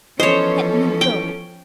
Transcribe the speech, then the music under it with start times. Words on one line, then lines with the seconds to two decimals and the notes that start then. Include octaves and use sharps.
"Let me go."
0.20 E3 F3 B3 C#4 A4 C5 C#5 D#5
1.01 G5